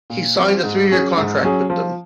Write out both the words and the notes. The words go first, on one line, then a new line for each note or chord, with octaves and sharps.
He signed a three-year contract with them.
A#2
F3 C4
G#2
F#3 C#4 G#4
G#2
F#3 C#4 G#4
F3